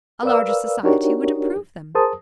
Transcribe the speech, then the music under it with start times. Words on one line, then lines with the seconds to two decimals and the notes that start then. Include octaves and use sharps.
A larger society would improve them.
0.23 A#4 B4 D5 F5 E6
0.83 D4 D#4 F#4 G4 A#4 C#5
1.95 G#4 A#4 C5 A5 D#6